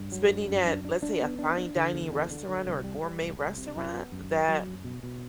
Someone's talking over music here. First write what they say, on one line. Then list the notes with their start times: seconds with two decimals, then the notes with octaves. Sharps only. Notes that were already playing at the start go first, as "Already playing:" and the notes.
spending at, let's say, a fine dining restaurant or a gourmet restaurant that
Already playing: G2
0.12 F#3
0.30 G2
0.47 F#2
0.67 D4
0.85 D4
1.02 D4
1.21 B3
1.39 D4
1.57 D4
1.76 D3
1.94 E2
2.12 D3
2.31 D3
2.48 D3
2.67 C2
2.84 G3
3.03 G3
3.21 C2
3.40 C2
3.58 C3
3.76 F#2
3.93 B3
4.12 F#2
4.31 F#3
4.49 F#3
4.67 F#2
4.84 B2
5.03 B2